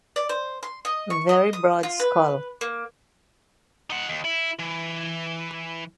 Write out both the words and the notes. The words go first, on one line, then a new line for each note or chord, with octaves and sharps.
Very broad skull.
D5
C5
C6
D#5
C#6
D#5
D#6
F4
B4
A#3
D#4 F#5
D#2
E4
E3